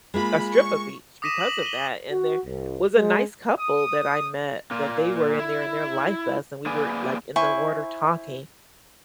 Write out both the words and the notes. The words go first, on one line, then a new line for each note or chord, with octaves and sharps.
a strip of beach because of that. And there was a nice couple that I met that they were in there in their life vests, and we were, like, in the water talking.
G#3 A#3 F4 B5
C#6
D6 D#6 A#6 B6 D#7 E7
F#7
D#7 G7
F#4
C2
G#3
D#6
A#2 A#3
E4
A#3 G#4 B4 D5 G#5
E4 C5 G#5 C#6